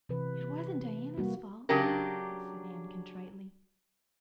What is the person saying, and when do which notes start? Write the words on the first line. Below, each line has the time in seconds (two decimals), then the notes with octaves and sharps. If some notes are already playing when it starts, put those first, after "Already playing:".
"It wasn't Diana's fault," said Anne contritely.
0.09 C3 E3 B4
1.18 G3 A#3 F#4
1.69 C#3 F#3 D4 G4 A#4